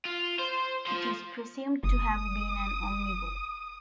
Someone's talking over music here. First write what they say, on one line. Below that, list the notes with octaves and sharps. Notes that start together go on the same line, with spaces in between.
It is presumed to have been an omnivore.
F4
C5
F3 C5
F#1 D#6